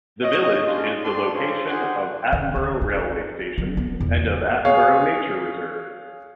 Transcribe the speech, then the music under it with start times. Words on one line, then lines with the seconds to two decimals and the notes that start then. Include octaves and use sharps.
The village is the location of Attenborough railway station and of Attenborough Nature Reserve.
0.24 C#5 D#5
0.67 C#4 D4 F4
1.04 D4 G4 D5 A5 C6
1.35 F4 G#4 A4 C5 C#5
1.68 G4 G#4 C5 F#5 G#5
2.32 D3
2.55 D2
2.81 D#4
3.58 F#3
3.77 B3
4.00 E2
4.16 C#3
4.65 G#4 C#5 F5